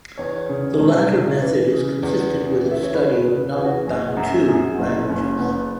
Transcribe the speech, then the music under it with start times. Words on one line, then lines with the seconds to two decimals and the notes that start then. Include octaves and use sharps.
The latter method is consistent with the study of non-Bantu languages.
0.18 E2 C#5
0.49 C#3
0.80 E1
1.10 C#3
1.41 E3
1.72 C#3
2.03 E2
2.34 C#3
2.64 E3
2.71 E5
2.83 C#5
2.94 E2 B4
3.17 B4
3.25 C#3
3.52 E3 G#4
3.64 F#4
3.86 F#1 G#4
4.17 F#2 F#4
4.48 F#2 G#4
4.75 F#4
4.78 F#1 E4
5.09 F#1 C#4
5.40 F#1 B3